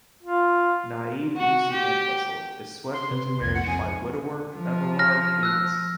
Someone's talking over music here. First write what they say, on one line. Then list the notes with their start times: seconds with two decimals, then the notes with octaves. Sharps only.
Naive Lucy Entwhistle is swept into marriage by widower, Everard Wemyss.
0.23 F4
1.37 F#4
1.73 G4
2.93 C6
3.11 C3 B4
3.41 C2 F2 G#6
3.54 F#5
3.67 F2 G#5
4.55 F3
4.99 F6 A#6
5.43 E6 F#6